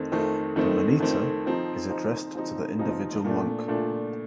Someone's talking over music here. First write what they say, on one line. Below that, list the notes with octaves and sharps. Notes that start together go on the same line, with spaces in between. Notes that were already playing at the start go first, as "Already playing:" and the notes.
The "Monita" is addressed to the individual monk.
Already playing: F2 D#3 A3 C4
F2 D#3 A3 C4
F2 D#3 A3 C4
F2 D#3 A3 C4
F3 C4 D#4
F3 C4 D#4
F3 C4 D#4
F3 C4 D#4
A#2 A3 D4
A#2 A3 D4